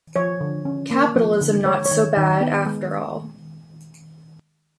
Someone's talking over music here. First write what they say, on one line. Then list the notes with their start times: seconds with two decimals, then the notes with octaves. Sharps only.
Capitalism not so bad, after all.
0.16 F3 C#5
0.41 D3
0.65 C#4
0.91 A#3
1.16 F3
1.41 D3
1.66 G#3 C#5
1.86 C#5
1.91 D#3
2.17 D#3
2.41 B3
2.66 G#3